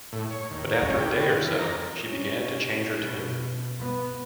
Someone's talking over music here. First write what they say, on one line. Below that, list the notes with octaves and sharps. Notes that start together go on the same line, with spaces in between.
But after a day or so she began to change her tune.
A2
C#5
D#2
A#5
C#4
G4
B3
F4
E3
A#5
C#4
B2
B3